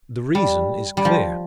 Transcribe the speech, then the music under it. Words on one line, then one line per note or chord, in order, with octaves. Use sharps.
The reason is clear.
G3
G3
F3